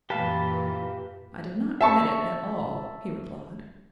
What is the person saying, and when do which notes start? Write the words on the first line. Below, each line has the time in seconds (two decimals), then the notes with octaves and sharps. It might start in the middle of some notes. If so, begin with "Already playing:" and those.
"I did not commit it at all," he replied.
0.10 F#2 A#2 E3 G4 B4 F5 A5 B5
1.81 E5 A5 C#6